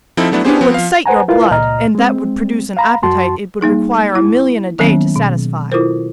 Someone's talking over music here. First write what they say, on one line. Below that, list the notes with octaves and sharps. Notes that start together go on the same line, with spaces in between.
You will excite your blood, and that would produce an appetite it would require a million a day to satisfy.
F3 C4 D#4 E4 A4
F#3 A3 B3 D4 E4
B3 C#4 E4 G4 G#4 C5
F3 B3 C4
F3 F5
B4 C5 F#5 G#5 A#5
E4 F4 A#4 B4 F5
C#2 A#2 D#5 A#5 F6
G#3 C4
F5 A#5 B5
F#2 F#4 A5 C6
G3 A#3 D#4 G#4
E4
D#3 F#3 A#3 B3 C#4
B2
E4 F4 A4 A#4 C5